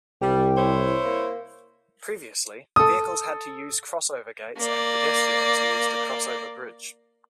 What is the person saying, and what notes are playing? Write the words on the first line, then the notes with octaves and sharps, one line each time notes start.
Previously, vehicles had to use crossover gates and pedestrians used a crossover bridge.
C2 G3 G4
E4 C5 C#5
A#3
A4 D#6
A#3 D5